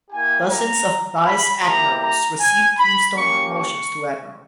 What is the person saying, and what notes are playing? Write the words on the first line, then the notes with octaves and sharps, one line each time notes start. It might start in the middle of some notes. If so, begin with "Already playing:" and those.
Dozens of vice admirals received tombstone promotions to admiral.
A#3 E4 G4 G#5
A#5
B5
A#3 E4 G4 A#5
A#5
G#5
B5
A#3 C#4 G4 C#6
C#6